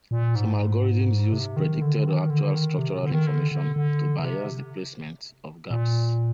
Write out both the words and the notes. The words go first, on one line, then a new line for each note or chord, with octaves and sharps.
Some algorithms use predicted or actual structural information to bias the placement of gaps.
A#2
G#2
C3
D#3
D3
D#3
D3
D#3
C3
D3
D#3
D3
D3
D3
D3
C3
A#2